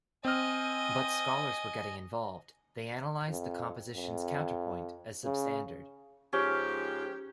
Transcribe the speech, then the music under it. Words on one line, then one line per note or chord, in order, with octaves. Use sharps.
But scholars were getting involved: they analysed the composition's counterpoint as substandard.
C4 D#5 G#5 F6
F2
F2
C#3
G#2 F3 C#4 G4